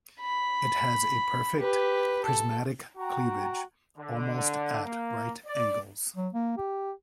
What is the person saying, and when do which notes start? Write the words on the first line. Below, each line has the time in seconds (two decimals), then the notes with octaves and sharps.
It has a perfect, prismatic cleavage, almost at right angles.
0.21 B5
1.58 G4 B4
2.25 A4
2.97 F#4 G5 A#5
3.98 D3
4.85 A#3
5.47 D5
6.16 F#3
6.34 A#3
6.58 G4